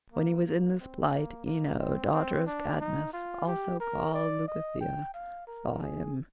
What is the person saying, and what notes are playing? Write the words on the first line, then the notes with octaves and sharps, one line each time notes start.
When he was in this plight, Ino daughter of Cadmus, also called Leucothea, saw him.
A#3
A#3
C4
A#3
A#3
C4
C4
D4
D#4
F4
G4
A#4
D5
D#5
G5
F5
A#4
G#4